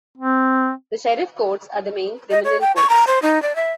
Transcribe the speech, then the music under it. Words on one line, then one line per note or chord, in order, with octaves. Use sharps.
The sheriff courts are the main criminal courts.
C4
D#5
C#5
G5
C#6
A#5
C5
D#4
D5
E5